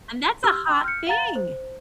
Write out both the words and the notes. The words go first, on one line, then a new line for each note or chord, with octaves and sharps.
and that's a hot thing!
G4 C6 E6 F6
G5 C6 E6
F6 G6 C#7
F5 F#5 A#5 A6
C5